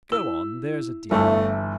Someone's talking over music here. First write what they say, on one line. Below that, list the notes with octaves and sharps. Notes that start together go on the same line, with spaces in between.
Go on, there's a dear.
E4 E6
G1 E3 A3 A4